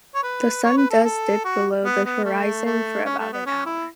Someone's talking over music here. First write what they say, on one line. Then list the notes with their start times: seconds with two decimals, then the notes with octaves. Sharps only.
The sun does dip below the horizon for about an hour.
0.15 C#5
0.23 B4
0.64 C#5
0.77 B4
0.90 A4
1.04 A4
1.44 F#4
1.84 B3
2.05 B3
2.24 A3
2.65 A3
3.05 C#4
3.18 A3
3.32 B3
3.46 C#4
3.66 E4